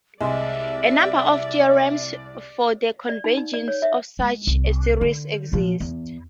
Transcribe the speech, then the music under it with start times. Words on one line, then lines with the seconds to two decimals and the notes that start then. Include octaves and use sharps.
A number of theorems for the convergence of such a series exist.
0.21 C2 G#3 D5 E5
3.09 D5
3.24 D#4
3.37 D#4
3.54 D5
3.68 C#5
3.82 E5
4.19 G#3
4.47 C2
5.01 D3
5.52 A#2 F3
5.80 E2